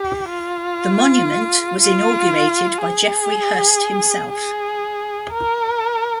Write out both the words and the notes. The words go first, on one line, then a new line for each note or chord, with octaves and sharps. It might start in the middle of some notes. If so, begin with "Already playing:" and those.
The monument was inaugurated by Geoffrey Hirst himself.
Already playing: G4
F4
F4
G#4
G#4
A#4